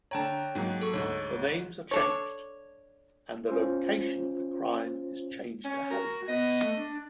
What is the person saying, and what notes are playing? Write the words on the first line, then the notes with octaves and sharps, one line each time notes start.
The names are changed and the location of the crime is changed to Halifax.
D3 C#5 G5 A5 A#5
G#2 F#3 A#3
A4 C#6
D2 G#2 C#5
D4 A4 C#5
C#4 F4 C5
C#4 C#5
F#4 A#4
B3 D#5
A3
D4